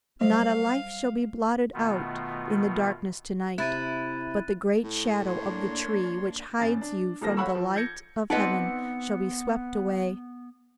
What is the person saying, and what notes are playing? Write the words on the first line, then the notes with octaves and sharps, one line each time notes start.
Not a life shall be blotted out in the darkness tonight; but the great shadow of the tree which hides you from the light of heaven shall be swept away.
F#3 G3 C5 F5
B2 D#3 A3 B3 F4
C3 E4 F#6 A6 D#7
A2
A#3 D4 C#5 C6
G#1 F#2 A6
D4
D#1 D#2 F3 A#3 A#6
C#5 F5 F#5 B5 C#6 E6
F3
G6 G#6 A#6 C#7
B3 C4 D#4 B4 D5 D#5 F#5 C#7